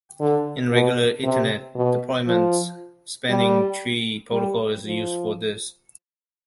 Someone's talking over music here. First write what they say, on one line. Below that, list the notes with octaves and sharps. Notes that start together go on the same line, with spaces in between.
In regular Ethernet deployments, Spanning Tree Protocol is used for this.
D3
B2
C3
B2
F3
G3
G3
F3